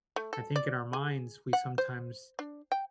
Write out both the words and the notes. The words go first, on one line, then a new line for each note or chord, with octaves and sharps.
I think in our minds we sometimes
A3
A4
D5
G#4
F#5
C5
D4
G5